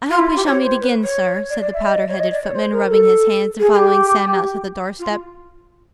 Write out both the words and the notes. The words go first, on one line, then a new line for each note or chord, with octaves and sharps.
'I hope we shall meet again, Sir,' said the powdered-headed footman, rubbing his hands, and following Sam out to the door-step.
F4
E4
F4
G4
C#5
C5
B4
C#5
D5
D5
E5
D#5
D5
C#5
D#5
D5
C#5
C5
A#4
A4
G#4
G#4
G4
F4